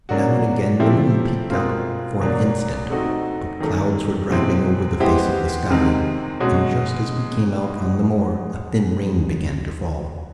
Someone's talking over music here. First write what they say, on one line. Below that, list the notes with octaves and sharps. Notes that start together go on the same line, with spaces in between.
Now and again the moon peeped out for an instant, but clouds were driving over the face of the sky, and just as we came out on the moor a thin rain began to fall.
C#3 F#3 A#3 D4 F#4
F3 A3 C4 E4 G4
B2 G#3 C4 F4 A#4
E2 B2 F#3 A#3 D4
A3 C4 D#4 F#4
D#3 F#3 A3
E2 B2 G#3 C4 E4
G#3 B3 E4 G4 C5
C3 D#3 G#3 C4
B2 G#3 C#4 F#4